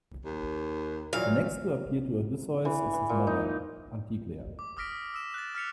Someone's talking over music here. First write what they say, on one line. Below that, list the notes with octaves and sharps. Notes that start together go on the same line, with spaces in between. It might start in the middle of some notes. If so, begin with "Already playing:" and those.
The next to appear to Odysseus is his mother, Anticlea.
D#2
A#2 E3 F#3 F5
E3
E3
A#2
D#4
D6
D6 D#6 F6 A#6 B6 D7
E6 E7
F#6 A6
F6 B6 C#7 F7